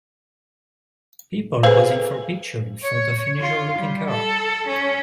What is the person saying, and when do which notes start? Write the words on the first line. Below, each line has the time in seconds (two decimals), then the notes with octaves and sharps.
People posing for a picture in front of an unusual looking car.
1.63 G#4 A4 B4 C5 F5
2.83 C#5
3.40 F4
3.78 G3
4.10 A4
4.67 C#4